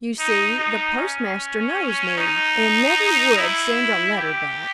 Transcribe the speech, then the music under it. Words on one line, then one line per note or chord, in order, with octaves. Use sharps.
You see the postmaster knows me and never would send a letter back.
D#4
D#4
C#4
D#4
E4
G4